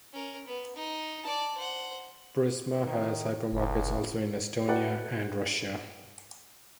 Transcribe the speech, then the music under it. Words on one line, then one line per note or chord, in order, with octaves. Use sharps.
Prisma has hypermarkets also in Estonia and Russia.
C#4 A#4
B3
D#4
D5 A5
C5 F#5
D#3
F#1 C#2
F#4 A4 B4 D5 F#5 G5